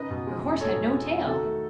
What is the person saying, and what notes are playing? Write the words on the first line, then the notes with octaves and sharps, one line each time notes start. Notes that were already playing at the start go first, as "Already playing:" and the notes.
Her horse had no tail!
Already playing: C#3 D#4 B4 D#5
B2
G#3
E2
D#4 A4 C#5
B2
G#3
E2
D#3 F#4 A4
A3